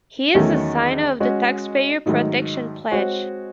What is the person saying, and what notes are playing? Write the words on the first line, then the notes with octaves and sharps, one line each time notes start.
He is a signer of the Taxpayer Protection Pledge.
E2 D#3 F#3 A3 C#4
G#3 C#4 F#4
G#2 D#3 F#3 A3 D#4
G#3 C4 F#4 C#5